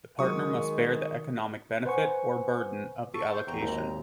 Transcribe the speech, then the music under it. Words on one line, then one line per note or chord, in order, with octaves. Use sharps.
The partner must bear the economic benefit, or burden, of the allocation.
D#3 F#3 G#3 C#6 D#6
B4 C5 F#5 G#5 C#6
A4 C#6
C5
E2 G5 A#5
G#1 D#2